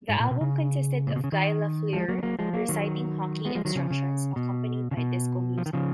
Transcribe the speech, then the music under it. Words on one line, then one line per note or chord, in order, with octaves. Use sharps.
The album consisted of Guy Lafleur reciting hockey instructions, accompanied by disco music.
G#2
A#2
B2
C#3
A#2
B2
C#3
D#3
F3 G#3
F#3 A#3
B3
F#3 A#3
F3 G#3
F#3 A#3
D#3 F#3
G#3 B3
F3 G#3
D#3 F#3
C#3 F3
C#3
B2
C#3
B2
F3
D#3
C#3 F3